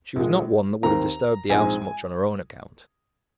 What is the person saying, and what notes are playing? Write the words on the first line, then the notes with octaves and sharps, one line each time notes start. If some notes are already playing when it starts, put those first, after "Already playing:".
She was not one that would have disturbed the house much on her own account.
A#1 A#2 F3 G#3
D#2 D#3 C4 A#5
A#1 G#2 G#3 C4 G#5